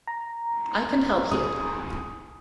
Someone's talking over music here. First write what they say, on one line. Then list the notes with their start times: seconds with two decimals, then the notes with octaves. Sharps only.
I can help you.
0.07 A#5
1.31 G#4 D#6